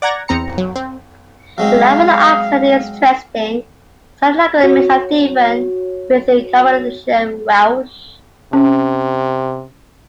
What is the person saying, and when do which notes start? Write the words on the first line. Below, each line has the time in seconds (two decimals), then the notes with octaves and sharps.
The Laugharne accent is interesting, sounding like a mix of Devon with Carmarthenshire Welsh.
0.02 D5 F#5 A#5 G#6 A#6
0.28 E2 C4 A#5 C#7
0.58 F#3
0.76 C4
1.58 F#3 G#3 C4 F5
4.61 F#4 C#5
8.53 C3 C#4